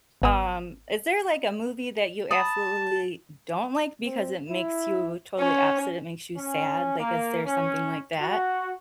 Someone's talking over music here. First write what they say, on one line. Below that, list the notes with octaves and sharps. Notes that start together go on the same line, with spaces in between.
um, is there like a movie that you absolutely don't like because it makes you totally opposite, it makes you sad, like is there something like that?
G#1 B3 D#6
A5 B5 D#6
C4
E4
C#4 C#5
C#4
A#3
C#4
F#4